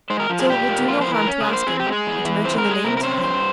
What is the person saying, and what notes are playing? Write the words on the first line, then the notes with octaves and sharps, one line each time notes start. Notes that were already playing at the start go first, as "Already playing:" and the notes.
Still, it will do no harm to ask him, or to mention the name to him.
G#3 C5
A#4
F3
G#4
A#2 G4
A#3
F2 F4
C5
E3
A#4
C#4
G#4
A#3
C5
C4 G#4
G4
G#3
G#4
E2
E3
C4 C5
A#4
G#3
G#4
C3 A#4
A#4
C#4 C5
G2 C5